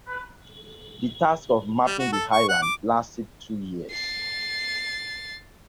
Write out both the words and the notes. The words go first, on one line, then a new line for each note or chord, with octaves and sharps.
The task of mapping the island lasted two years.
G3
F#4
A4
C#6
F#5
D6
A6 C7